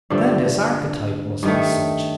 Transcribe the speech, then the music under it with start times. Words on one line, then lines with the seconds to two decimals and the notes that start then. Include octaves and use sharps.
'Then this archetype must be such.'
0.10 G2 D3 F3 A3
1.43 G2 D#3 A3